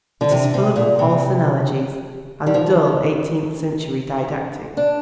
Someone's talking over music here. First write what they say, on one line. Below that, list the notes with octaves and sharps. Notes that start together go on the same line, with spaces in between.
It is full of false analogies and dull eighteenth-century didactics.
D3
C3
C3
A#2
C3
G3
F3
D4